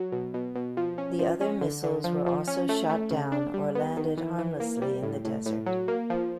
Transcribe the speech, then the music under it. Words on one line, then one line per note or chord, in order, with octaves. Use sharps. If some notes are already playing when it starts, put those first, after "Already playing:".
The other missiles were also shot down or landed harmlessly in the desert.
Already playing: F#3
B2
B2
B2
F3
C#4
F3
C#4
D3
D3
F3
F3
C#4
A3
A3
C#3
D4
G3
B3
D#3
E3
E3
A#3
G3
A2
A2
A2
F#3
A#3
F3